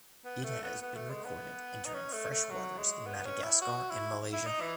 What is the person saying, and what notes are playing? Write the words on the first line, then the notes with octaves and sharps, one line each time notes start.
It has been recorded entering fresh waters in Madagascar and Malaysia.
B3
A3
B3
B3
A3
G#3
B3
D#4
C#4
A3
A3
F#3
G#3
B3
C#4
E4
F#4
E4
E4
D#4
E3